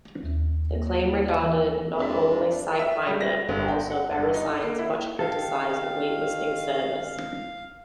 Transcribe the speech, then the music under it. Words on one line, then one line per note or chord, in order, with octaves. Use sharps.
The claim regarded not only Site Finder, but also VeriSign's much-criticised Wait Listing Service.
D#2
A#3
E4
E3
F2 G#2 D4 F#4 A#4 B6
E5
G3
A#6
G1
G5
F#5
G1
D#4
A#3
E4
D#3 G4 A4 F5